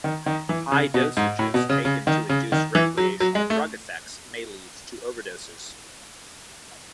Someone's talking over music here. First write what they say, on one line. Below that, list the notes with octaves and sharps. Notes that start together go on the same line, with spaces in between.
High dosages taken to induce recreational drug effects may lead to overdoses.
D#3
D#3
E3
C#3
B2
G#2
A2
B2
C#3
C#3
D#3
C#3
D#3
E3
F#3
F#3
G#3
A3